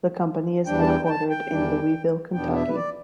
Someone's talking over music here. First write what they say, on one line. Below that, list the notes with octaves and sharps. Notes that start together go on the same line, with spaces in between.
The company is headquartered in Louisville, Kentucky.
E2 E3 G3 D4 G5
A5
G5
G5
A5
G5
E2 E3 G3 D4
E2 B2 B3 D4 G5
E5
B4
D5